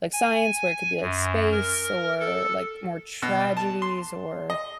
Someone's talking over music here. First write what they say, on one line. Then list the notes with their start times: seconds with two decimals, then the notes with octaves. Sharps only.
like, science where it could be, like, space or, like, more tragedies or
0.13 G#5
1.01 F#2
1.51 A#4
2.19 A4
3.22 B2
3.57 A5
3.82 C6
4.50 D#5